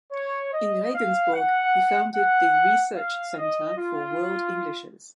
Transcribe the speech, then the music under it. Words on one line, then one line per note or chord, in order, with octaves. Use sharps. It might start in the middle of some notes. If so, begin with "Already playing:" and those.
In Regensburg he founded the Research Center for World Englishes.
C#5
D#5
F5
F#5
F#5
F5
D#5
F4